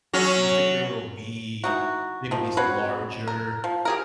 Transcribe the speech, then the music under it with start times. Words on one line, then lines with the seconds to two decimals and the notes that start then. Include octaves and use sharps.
do you think there will be maybe these larger
0.13 F#3 C#4
1.64 E3 D#4 F#4
2.31 D#3 F3
2.57 C4 F#4 B4 C#5
3.28 A#4
3.64 F3
3.85 G4 G#4 A#4